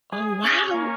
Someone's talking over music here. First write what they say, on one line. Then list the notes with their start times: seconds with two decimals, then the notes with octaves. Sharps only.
Oh, wow.
0.12 G#4
0.44 C#4
0.74 A#3